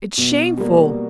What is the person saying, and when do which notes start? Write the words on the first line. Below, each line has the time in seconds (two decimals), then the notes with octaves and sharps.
It's shameful!
0.18 B2
0.57 G3 A#3